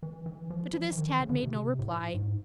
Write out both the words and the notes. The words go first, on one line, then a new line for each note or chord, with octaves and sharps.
But to this Tad made no reply.
E3
E3
F3
F3
E3
D#3
C#3
D3
C#3
C3
A2
G#2